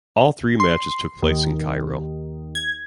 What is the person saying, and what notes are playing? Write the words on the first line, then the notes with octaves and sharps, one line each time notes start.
All three matches took place in Cairo.
C6
D#2
G#6